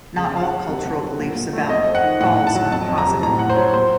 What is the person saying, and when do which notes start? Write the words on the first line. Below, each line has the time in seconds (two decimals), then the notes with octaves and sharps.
Not all cultural beliefs about cauls are positive.
0.16 C#3 A5
0.34 C#3 F5
0.43 F#5
0.51 F#3
0.69 C3
0.85 C3
1.01 F#3
1.19 A#2
1.35 A#2
1.53 A3
1.69 F2 D#5
1.87 C4
1.95 F#5
2.03 D#3
2.20 A2 F#5
2.38 A2
2.47 A5
2.55 F#3
2.71 F2 A5
2.88 F2
2.98 A#5
3.06 C3
3.22 A2 A#5
3.39 A2 F#5
3.50 C5
3.56 F#3 C#5
3.74 A#2 C5